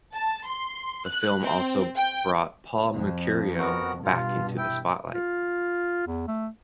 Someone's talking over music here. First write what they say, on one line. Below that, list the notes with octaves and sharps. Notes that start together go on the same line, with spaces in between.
The film also brought Paul Mercurio back into the spotlight.
A5
C6
F#6
C4
G5
F2
B3 F#4 A#4
G2 B2 F4
E4 G5
F4
E2
A3